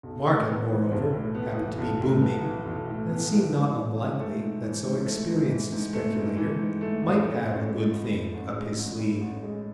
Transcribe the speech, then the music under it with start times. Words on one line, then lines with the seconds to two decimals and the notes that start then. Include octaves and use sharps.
The market, moreover, happened to be booming, and it seemed not unlikely that so experienced a speculator might have a "good thing" up his sleeve.
0.03 B1
0.26 A2
0.48 B3
0.70 E3
0.92 B1
1.13 A2
1.35 B3
1.56 E3
1.78 B1
2.01 A2
2.22 B3
2.44 E3
2.66 B1
2.87 A2
3.09 B3
3.32 E3
3.53 G#2
3.75 E3
3.97 G#2
4.19 A3
4.40 G#2
4.63 E3
4.85 G#2
5.06 A3
5.29 G#2
5.50 E3
5.72 G#2
5.93 A3
6.16 G#2
6.37 E3
6.59 G#2
6.81 A3
7.03 A1
7.24 A2
7.46 A1
7.68 G#3
7.90 A1
8.11 A2
8.34 A1
8.56 G#3
8.78 A1
9.00 A2
9.21 A1
9.43 G#3